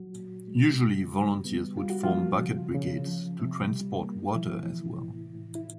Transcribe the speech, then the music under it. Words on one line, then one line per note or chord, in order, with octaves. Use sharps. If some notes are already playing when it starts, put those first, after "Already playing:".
Usually, volunteers would form bucket brigades to transport water as well.
Already playing: A#2 F#3 F#4
A#2
G#3
C#3
G3
B3
G3 F4
F#4
F3 F4
A#3
C#3
C#3
F3
C3
G3
A#3
E3 F3 E4
C3
A2
A2
E4